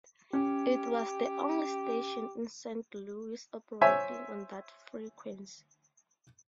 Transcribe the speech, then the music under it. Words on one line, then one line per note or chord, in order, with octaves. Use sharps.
It was the only station in Saint Louis operating on that frequency.
C#4 G4
C5 C#5 E5 G#5